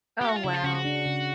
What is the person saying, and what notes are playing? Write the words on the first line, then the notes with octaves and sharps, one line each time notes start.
Oh, wow.
G4
F#4
F4
C#3 E4
F4
C#3 F#4
F#4
D4
C#3